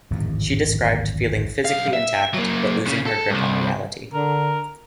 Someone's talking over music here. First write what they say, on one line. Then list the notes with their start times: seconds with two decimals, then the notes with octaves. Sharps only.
She described feeling physically intact but losing her grip on reality.
0.10 D1 G#1 F2
1.65 B1 F5
1.93 E5
2.34 F#3 A#3
2.86 A#2 C#3
3.06 A4
3.30 C2 G2
4.13 D3 A#4